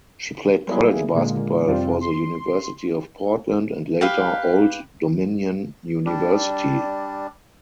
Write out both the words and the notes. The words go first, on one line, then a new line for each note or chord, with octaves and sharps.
She played college basketball for the University of Portland and later Old Dominion University.
F#3 G3 A#3 B3 E4 G#4
A#2 D3 G#3 A#3
F2 C3 G3 C4 D4 F4
C6
G4 B4 F5
G3 D4